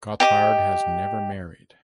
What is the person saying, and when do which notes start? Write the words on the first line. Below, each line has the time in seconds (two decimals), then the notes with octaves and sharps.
Gothard has never married.
0.20 G4 D#5 D6